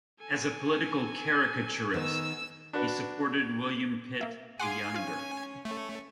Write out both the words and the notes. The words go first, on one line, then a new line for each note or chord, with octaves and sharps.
As a political caricaturist he supported William Pitt the Younger.
A4 G#5
D#3 B3 E6
D4 F#4 B4
A#3 E5
G#4 F5 F#5 G#5 C6 D6
C#4 F4 F5
A3 C#4 C#5